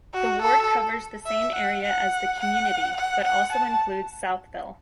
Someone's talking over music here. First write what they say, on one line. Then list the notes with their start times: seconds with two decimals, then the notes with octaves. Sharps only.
The ward covers the same area as the community, but also includes Southville.
0.14 F#4
0.42 A4
1.26 E5
1.55 F#5
1.83 F#5
2.40 F#5
2.97 F#5
3.24 F#5
3.52 A5